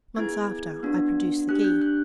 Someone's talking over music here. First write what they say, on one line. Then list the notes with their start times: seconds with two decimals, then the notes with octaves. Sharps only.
Months after I produced the key.
0.16 B3 E4 G#4 G#6
0.83 B3 D4 F#4
1.48 D4 G4 F#6
1.64 G6
1.82 F#6